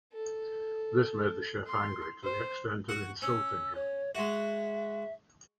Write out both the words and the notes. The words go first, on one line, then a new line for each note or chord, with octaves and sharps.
This made the chef angry to the extent of insulting him.
A4
C6
C5
F#4 F#5
C#4 E6
C#5
G#3 F#4 E5